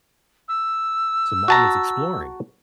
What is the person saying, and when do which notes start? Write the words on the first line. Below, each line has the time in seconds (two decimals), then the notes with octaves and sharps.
So mom is exploring.
0.48 E6
1.48 F#4 A5 A#5